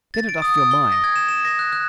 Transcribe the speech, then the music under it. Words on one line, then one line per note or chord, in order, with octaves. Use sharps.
Get it off your mind.
A6
D7
D#6
D7
G7
A#6
G#6
E7
E7
A#6
F#6
F#6